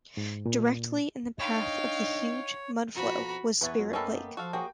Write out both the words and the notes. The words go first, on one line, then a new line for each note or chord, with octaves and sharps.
Directly in the path of the huge mudflow was Spirit Lake.
G#2
A#2
D4 D#4 C#5 D#5 F5 G5
F2 B2 F3 F#4 A#5 B5
E2 B3 B4 C#5 E5 A6
F#2 F#3 F4
A#3 B3 C#4 A4 D#5 G5 B5
F3 F#4 A4 F5
A#3 F#4 G#4 C#5 G5